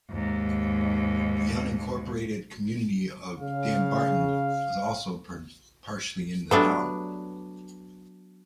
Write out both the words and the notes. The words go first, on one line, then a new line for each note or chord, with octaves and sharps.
The unincorporated community of Dunbarton is also partially in the town.
D#2 G#2
C#3 F5
F#3 G3 A3 B3 D4 B4